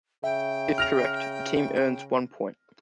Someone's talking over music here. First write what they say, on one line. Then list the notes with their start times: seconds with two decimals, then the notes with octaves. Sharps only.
If correct, the team earns one point.
0.24 C#3 E5 G5
0.78 F6 A#6 F7